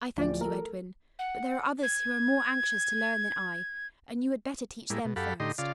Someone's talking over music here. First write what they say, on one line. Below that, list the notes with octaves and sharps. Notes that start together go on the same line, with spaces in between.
"I thank you, Edwin; but there are others who are more anxious to learn than I, and you had better teach them first."
D1 F3 D5
A4 A#4
F#5
G#6
A2 G3 G#3 A#3 E4
B2
F#2 G4 A4 F5 F#5 B5
A2 D3 D#4 G4 D#5 C6
C#3 F4 D5 F5